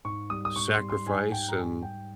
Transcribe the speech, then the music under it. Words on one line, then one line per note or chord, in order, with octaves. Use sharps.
sacrifice and
G#2 C#6
G3 D#6
D#6
G#2 C#6
C6
G3
C6
G#2 G#5
G3 G5
A#5
G#2 G#5
G3 G5